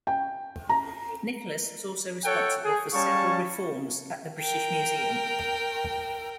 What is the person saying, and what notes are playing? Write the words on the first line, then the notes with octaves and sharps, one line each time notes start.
Nicolas was also responsible for several reforms at the British Museum.
G5
A#5
A4 C#5 F#5 G5
G#4
G3 C#4 C#5 F5 A5 C#6
A#4 G5